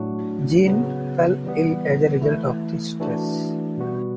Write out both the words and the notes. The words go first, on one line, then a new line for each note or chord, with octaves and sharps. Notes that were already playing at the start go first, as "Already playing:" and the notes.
Jean "fell ill" as a result of this stress.
Already playing: A2 F#3 A3 D4 F#4
C#3 F#3 B3
E3 G3 B3
E3 A3 E4
E3 A3 D4 F#4
B2 G3 B3 F#4